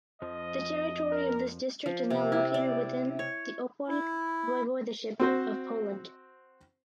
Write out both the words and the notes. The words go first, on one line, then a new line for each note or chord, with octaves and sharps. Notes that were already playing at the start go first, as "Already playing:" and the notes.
The territory of this district is now located within the Opole Voivodeship of Poland.
F2 F3 D#5
A#4
F3
C3
E4
D5
C#5
E4
C4 F#4 C5